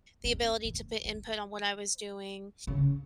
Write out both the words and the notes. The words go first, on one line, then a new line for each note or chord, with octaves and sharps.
the ability to put input on what I was doing.
C4
D#3
D#3
C#3